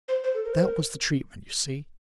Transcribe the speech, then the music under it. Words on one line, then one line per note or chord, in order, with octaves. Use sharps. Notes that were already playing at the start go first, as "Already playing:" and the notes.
'That was the treatment, you see.
C5
C5
A4
A#4
C5
A#4